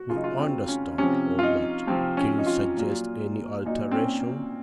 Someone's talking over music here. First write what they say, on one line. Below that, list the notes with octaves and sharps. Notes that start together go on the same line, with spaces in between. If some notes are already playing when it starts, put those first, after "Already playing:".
"We understand all that. Can you suggest any alteration?"
Already playing: F#4
C#3 F#3 D#4 F4
F4
C4
C#4
C3 F3 C#4
F4
D#4
C3 F3 C4
C#4
D#4
F4
A#2 F#3
A#2 F#3 D#4
C4
C#4